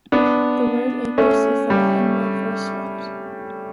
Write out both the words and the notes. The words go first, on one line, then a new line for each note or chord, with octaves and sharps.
The word "apus" is the Latin word for a swift.
B3 D4
A3 C#4
G3